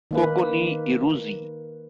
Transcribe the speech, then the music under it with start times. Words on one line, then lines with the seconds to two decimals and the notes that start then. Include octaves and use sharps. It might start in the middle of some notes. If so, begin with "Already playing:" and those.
Koko ni Iruzee!
0.11 D#3 A#3 B4